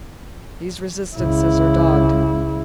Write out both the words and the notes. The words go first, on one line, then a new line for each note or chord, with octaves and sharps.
These resistances are dogged.
C#2 E4